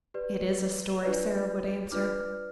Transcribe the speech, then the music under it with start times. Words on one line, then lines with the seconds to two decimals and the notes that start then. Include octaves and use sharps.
"It is a story," Sara would answer.
0.14 G4 B4 D5
1.03 D4 F4 B4 D5
1.91 D4 F4 B4 D5 D6 F6